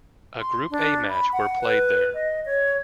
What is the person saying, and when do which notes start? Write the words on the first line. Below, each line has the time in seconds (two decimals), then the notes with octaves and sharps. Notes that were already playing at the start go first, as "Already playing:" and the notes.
A Group A match were played there.
0.40 C6
0.71 D4
1.09 B5
1.33 F#5
1.61 B4
2.14 D#5
2.46 C#5